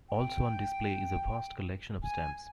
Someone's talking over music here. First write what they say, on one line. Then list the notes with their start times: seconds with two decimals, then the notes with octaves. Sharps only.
Also on display is a vast collection of stamps.
0.09 G5
2.03 G#5